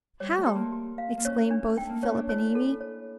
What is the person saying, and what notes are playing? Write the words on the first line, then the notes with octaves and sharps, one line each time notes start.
'How?' exclaimed both Philip and Amy.
G3 C#5
A3
G4
A#3
G4
F5
A#3
C#4 C#5
D4
A3 G5
A#3
C#4 C#5
D4
E4 C#5
A4
C#5